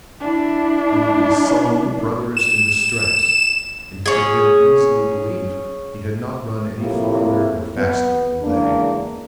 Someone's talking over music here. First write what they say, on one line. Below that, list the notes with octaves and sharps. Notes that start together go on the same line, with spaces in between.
They would be sullen brothers in distress, and he could then easily believe he had not run any farther or faster than they.
D4 E4
E7
C#4 G#4
A2 C3 F3 A#3 E4 G4
B3
E2 C#3 G#3 A#3 D4